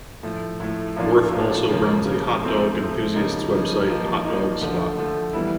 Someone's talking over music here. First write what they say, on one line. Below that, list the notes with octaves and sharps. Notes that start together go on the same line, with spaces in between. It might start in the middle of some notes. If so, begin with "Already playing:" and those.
Worth also runs a hot dog enthusiast's website "Hot Dog Spot".
A2 F3 A3
A2 F3 A3
A2 F3 A#3 D4 F4
A2 F3 A#3 D4 F4
C#3 F3 A#3
C#3 F3 A#3
F3 A3 C4
F3 A3 C4
C#3 F3 A#3 D#4
C#3 F3 A#3 D#4
F3 A#3 D#4
F3 A#3 D#4
D3 F3 A3
D3 F3 A3
E3 G3 B3 E4